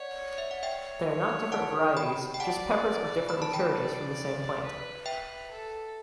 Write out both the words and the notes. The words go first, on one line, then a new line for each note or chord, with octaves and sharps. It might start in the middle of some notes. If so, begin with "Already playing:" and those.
They are not different varieties, just peppers of different maturities from the same plant.
Already playing: C#5 D5 F#5
E5
F#5
C#5 E5 G5
F#5 A5
G5 B5
G5
D5 F#5 A5
B5
A5
G5 B5
D5
B4
B4 E5 G5
A4